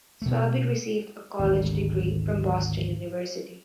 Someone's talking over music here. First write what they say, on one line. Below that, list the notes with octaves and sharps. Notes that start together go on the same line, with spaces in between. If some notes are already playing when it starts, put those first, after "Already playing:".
Swaby received a college degree from Boston University.
B2 A3
G#1 D2